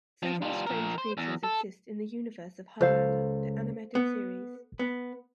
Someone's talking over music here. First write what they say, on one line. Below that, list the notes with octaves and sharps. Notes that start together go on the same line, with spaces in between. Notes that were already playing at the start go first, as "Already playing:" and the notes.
Several strange creatures exist in the universe of "Highlander: The Animated Series".
F3
G3 F4
F3 A#4
C5
E2
A4
C#2 A4 C5 F5
B3
B3